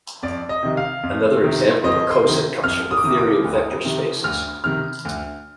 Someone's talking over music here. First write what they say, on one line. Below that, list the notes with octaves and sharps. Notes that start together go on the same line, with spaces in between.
Another example of a coset comes from the theory of vector spaces.
F2 D5
D#5
C3 D#3
F5
F2
C3 D#3
F2 D#5
C6
C3
D#3
F2 F6
D#6
D6
C3 D#3 D#6
D6
D2
C3 D#3
D2 F6
C3 D#3 F6
D2